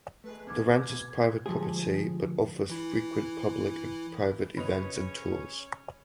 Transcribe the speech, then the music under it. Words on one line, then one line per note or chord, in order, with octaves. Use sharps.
The ranch is private property but offers frequent public and private events and tours.
A3 G#4 B4
C4 B4 D6 G#6
B2
D2 G#2 F3 G#3 G4 G#4
E3 E4
C#3 C#4 B4 C#5 D#5 B5 F7